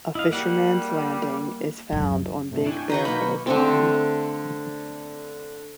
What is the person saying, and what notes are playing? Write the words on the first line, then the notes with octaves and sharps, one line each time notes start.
A fisherman's landing is found on Big Bearhole Pond.
E4 D#5 F5
G3 A#3 F#5
C#2 F#2
G2 C3 A3
D4 E4 G5 G#5 C#6
D#3 F#4 B4 D#5 A#5 C#6 G6
B1 A#3 B4 B5
B3 C#6
D3 A3 C4